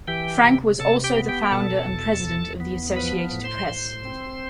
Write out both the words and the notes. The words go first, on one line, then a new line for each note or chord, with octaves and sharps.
Frank was also the founder and president of the Associated Press.
E3 G4 G5
C3
C3 A4 A5
G4 G5
B3
G4 G5
G5
B2 A4 A5
E2
E2
B3
F3 B4 B5
A2
C5 C6
A2
C4